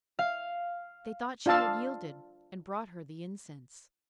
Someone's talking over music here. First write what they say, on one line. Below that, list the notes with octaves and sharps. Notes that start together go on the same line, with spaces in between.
They thought she had yielded, and brought her the incense.
F5
D4 F4 F5 A5 E6